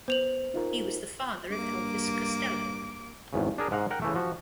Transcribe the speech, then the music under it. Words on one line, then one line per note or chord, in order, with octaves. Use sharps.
He was the father of Elvis Costello.
B3 C5 F7 F#7
D#4 F4 A#4
G2 A#3 D6
G#1 E2 C#3
D4 G#4 A#4
G#2 F5 F#5 A#5
A#4 F#5 G5
C#3 E3 A3
F3 F#4